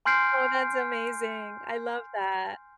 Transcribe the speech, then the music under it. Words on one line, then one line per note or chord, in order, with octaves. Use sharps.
Oh, that's amazing, I love that.
G#5 C6 F6 G6 C7 D7